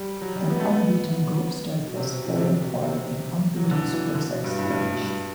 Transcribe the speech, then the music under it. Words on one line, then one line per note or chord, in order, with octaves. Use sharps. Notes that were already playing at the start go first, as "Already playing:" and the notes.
An unbeaten group stage was followed by an unbeaten Super Six stage.
Already playing: G3
F#3
G3
B3
A3
B3
B2
C3
B2
A2
D3
C3
B2
C3
F#3
E3
D3
E3
D3
B2
G2
G2
A2
G2
A2
B2
G2